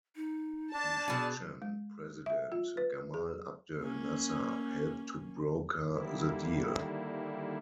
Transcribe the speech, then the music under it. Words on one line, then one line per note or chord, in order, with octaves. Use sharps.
Egyptian president Gamal Abdel Nasser helped to broker the deal.
D#4
D4 D5 A5
B2 G#4 D5
G#3
E5
F4
B4
G#4
A#3 C#4
D3 D#3 G3 A#3 E4